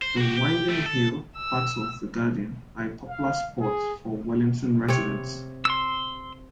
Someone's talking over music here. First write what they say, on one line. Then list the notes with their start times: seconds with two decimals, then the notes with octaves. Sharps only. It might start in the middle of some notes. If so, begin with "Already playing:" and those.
The winding hill paths of the Garden are a popular spot for Wellington residents.
0.02 C5
0.17 F#4 G4
0.37 G4
0.69 A3 G4
0.86 A4
1.37 E6
3.09 F5
3.61 G#4
4.88 C3 C#5
5.65 C6 E6